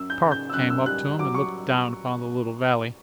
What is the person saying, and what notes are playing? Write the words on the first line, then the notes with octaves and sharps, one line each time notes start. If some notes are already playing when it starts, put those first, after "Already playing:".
Park came up to him and looked down upon the little valley.
Already playing: F#2 E6
G6
C#3
G6
E6
F#2 F#6
E6
G3 F#6
F#3 D6
C#6